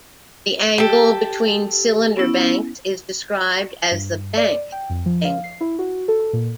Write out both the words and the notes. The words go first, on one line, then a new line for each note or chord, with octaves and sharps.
The angle between cylinder banks is described as the "bank angle".
G4 A4
B3 C#4 E4
G2
D5
G5
F2
F3
F5
C7
E4
F#4
A4
A#2